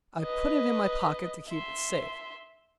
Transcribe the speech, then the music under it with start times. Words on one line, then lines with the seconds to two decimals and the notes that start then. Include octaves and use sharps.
I put it in my pocket to keep it safe.
0.22 B4 D#5
1.48 E5 C6